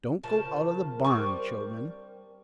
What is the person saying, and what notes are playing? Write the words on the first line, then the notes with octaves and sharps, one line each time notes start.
'Don't go out of the barn, children.
C#3 F3 A#4 A5
G3 C4 D4 C#6